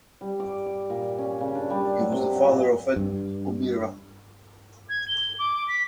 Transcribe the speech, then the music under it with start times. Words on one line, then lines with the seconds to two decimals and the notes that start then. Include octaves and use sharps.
He was the father of Edmund O'Meara.
0.21 G3
0.40 D6
0.66 D6
0.90 A#2
1.18 C#4
1.41 C#3
1.55 D4
1.70 G3
2.00 F#3
2.12 C3
2.36 F#3
2.48 A#2
2.96 G2
4.89 G#6
5.08 G7
5.39 D6
5.68 B6